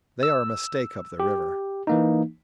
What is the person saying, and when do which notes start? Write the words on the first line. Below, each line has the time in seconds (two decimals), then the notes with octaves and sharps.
They are a mistake up the river.
0.23 E6
1.20 G4
1.87 E3 A#3 D#4